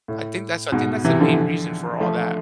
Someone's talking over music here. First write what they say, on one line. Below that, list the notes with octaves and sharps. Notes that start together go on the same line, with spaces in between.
I think that's I think that's the main reason for all that.
A2
G#2 B2
C3 E3
D3 F3
F3 A3